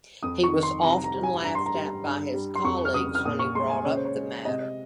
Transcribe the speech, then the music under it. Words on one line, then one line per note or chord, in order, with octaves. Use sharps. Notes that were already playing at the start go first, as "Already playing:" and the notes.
He was often laughed at by his colleagues when he brought up the matter.
F2 D#6
C#6
D#3
C6
C3 A#5
A#5
G3
G#5
G2 A#5
C6
A#5
G3
G2
G3
C6
F2 C#6
F6
C#3 D#6
F6
A#2 D#6
C#6
G#3 C6
G#5
C#3 C#5
C5
C#5
G#3
C3 D#5